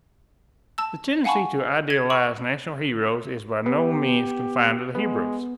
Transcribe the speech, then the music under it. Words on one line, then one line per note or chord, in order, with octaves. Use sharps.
The tendency to idealize national heroes is by no means confined to the Hebrews.
A5 E6
F5 F#5 G#5 A5 B5 C#6
G#6
B5 C#6
B3 G4
G#3 B3